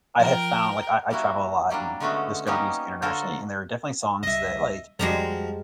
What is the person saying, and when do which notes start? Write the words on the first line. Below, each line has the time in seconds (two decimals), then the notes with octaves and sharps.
I have found like, I I travel a lot and discover music internationally, and there are definitely songs that like
0.19 F3 A#4 G5
1.10 G3 A#3 E4 F#4
1.70 F#3 G3 A#3 D4
2.00 D3 G#3 A3 B3 C#4 F#4
2.46 G3 A#3 B3 C#4 D#4 G4
3.02 D3 F4 F#4 A4 A#4 C5
4.23 C#2 G3 D#5 E5
4.99 F2 F3 G3 G#3 F#4 G4 A#5